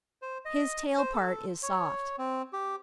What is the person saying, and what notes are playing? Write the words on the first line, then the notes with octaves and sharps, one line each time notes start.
His tail part is soft.
C5
D#5
C5
A4
C#5
C4
G4